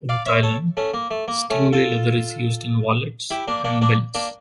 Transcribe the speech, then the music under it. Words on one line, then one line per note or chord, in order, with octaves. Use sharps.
In Thailand, stingray leather is used in wallets and belts.
D5 F5
C#5 E5
A4 C#5
A3 C#4
A#3
A3
A#3
A3 C#4
F4 A4
E4 G4
A#3 D4
A#3 D4
A#3 D4
A#3 D4